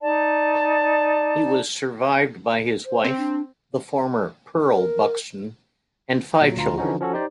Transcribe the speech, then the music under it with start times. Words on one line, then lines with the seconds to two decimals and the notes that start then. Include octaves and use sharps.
He was survived by his wife, the former Pearl Buxton, and five children.
0.02 D#4 D5 A5
2.85 C5
3.04 C4
3.17 D4
4.73 A#4
6.41 A#2 F#3
6.57 D2 F4 A#5
6.78 D3 E3 F3 C#4 D#4 F#4
7.00 F3 C#4 F#4 A4
7.13 D#4 G4 C5 D5